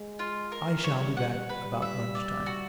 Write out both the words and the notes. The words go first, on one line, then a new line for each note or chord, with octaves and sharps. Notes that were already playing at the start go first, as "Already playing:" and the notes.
I shall be back about lunch time.'
Already playing: G#3
F4
A#4
G3 C#5
F#5
G3 B4
E5
D5
F#4